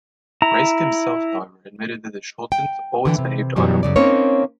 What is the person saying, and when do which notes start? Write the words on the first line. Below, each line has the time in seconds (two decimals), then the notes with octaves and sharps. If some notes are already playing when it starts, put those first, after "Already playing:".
Reiske himself, however, admitted that Schultens always behaved honourably to him.
0.42 E4 A#5
2.52 G5
3.05 D3 E3 G5
3.18 C3
3.56 F#2 B2 E3 F#3 G3
3.83 F#2 C#3 D5
3.96 A#3 C4 C#4 D#4 A#4 C#5